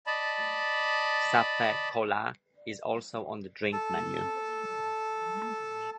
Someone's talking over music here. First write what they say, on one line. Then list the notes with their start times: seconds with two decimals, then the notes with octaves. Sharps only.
Ca Phe Cola is also on the drink menu.
0.07 D5 D#5 A5 B5
3.73 A4 A5